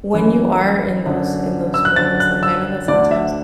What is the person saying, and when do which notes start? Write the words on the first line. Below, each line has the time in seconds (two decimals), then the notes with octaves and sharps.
when you rare in those in those moods, like, I know that sometimes,
0.13 F#2 E3
1.06 F#2 D3
1.74 E6
1.85 F#6
1.96 F#2 D3 A6
2.20 F#6
2.43 E6
2.88 D2 D3 D5
3.11 E5